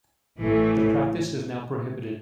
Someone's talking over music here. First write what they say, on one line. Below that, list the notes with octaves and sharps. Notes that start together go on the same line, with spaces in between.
The practice is now prohibited.
A1 A2 E3 A3